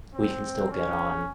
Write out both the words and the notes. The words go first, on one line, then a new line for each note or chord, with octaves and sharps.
we can still get on
C4
C#4